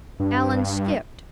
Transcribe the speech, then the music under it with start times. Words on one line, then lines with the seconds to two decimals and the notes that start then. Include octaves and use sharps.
Allan skipped.
0.20 G2